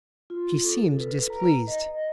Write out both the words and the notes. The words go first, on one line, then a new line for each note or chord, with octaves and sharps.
She seemed displeased.
F4
A4
B4
A#5
D#5